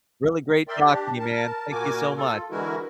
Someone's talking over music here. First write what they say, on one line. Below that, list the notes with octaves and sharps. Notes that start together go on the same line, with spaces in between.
Really great talking to you man, thank you so much.
A#4 D5 E5 G5 C6
D4 G4
A#4 A5
A#2 A#3 F#4 A#4 G#5 D6
F4 A4
D3 E3 G#3 E4 F#4 A#4